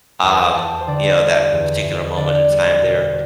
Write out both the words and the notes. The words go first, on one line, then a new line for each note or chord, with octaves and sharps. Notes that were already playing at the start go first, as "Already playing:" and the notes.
um you know, that particular moment in time there,
E2 F#5
G5
E2 A5
G5
C5
D3 D5
G3
E2
E2
D3 D5
G3
B2